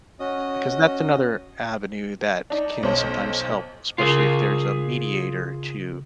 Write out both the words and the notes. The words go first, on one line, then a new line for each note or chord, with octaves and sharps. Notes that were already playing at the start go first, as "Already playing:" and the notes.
because that's another avenue that can sometimes help, especially if there's a mediator to
C#4 F#4 D#5 D#6
D4 D#4
B1 C#4 C5 A5
C#3 F4 G#4 A#4